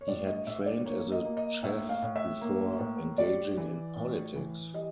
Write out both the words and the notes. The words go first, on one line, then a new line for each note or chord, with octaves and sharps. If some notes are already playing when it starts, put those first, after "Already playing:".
He had trained as a chef before engaging in politics.
C#5
A2 D5
D#5
A2 E5
D5
A#3 C#5
D#5
A#3
D#5
A2 E5
F5
A2
E5
A#3
A2
G3 D5
E3
A2
E3
G3 D#5